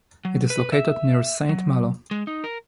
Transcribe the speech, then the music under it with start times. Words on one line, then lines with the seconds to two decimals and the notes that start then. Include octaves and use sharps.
It is located near Saint-Malo.
0.25 F#3
0.50 B4
0.72 E5
1.49 F#3
2.11 G#3
2.27 D#4
2.44 A#4